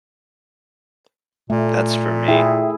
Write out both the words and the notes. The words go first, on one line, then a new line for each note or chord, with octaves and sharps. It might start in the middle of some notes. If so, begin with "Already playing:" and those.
That's for me.
A#2 A3
E4 G#4 E5 G5